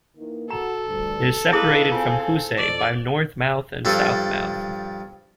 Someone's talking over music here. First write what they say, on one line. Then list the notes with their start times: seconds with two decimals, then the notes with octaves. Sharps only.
It is separated from Housay by North Mouth and South Mouth.
0.17 D#3 E3 A#3
0.50 F#4 A4 A#5
0.86 D2 G2
1.53 E4 G#4 B4 D#5 F5 D#6
1.92 C4 F4 F5 G#5
2.57 F2 D5
3.85 G2 F3 A4